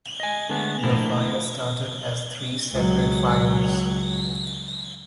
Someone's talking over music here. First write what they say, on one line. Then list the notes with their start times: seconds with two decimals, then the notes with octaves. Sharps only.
The fire started as three separate fires.
0.20 D#5 G#5
0.49 D3 G#3 A3 B3
0.83 A2 D3 F3 A3 A#3 E4
2.72 C#2 F#3